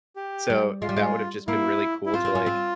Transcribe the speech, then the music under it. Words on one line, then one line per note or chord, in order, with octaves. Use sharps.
So, that would’ve just been really cool to, like,
G4
G3
G#3 F4
G3
G#3
A#3 E4
E4
C4 F4
C4
C#4
C4